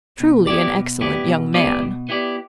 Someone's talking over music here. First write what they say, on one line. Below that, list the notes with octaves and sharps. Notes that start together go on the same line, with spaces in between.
Truly an excellent young man.
B2
B3 E4 G4 D5
B2
B3 E4 G4 D5
B2
B3 E4 G4 D5
B2
B3 E4 G4 D5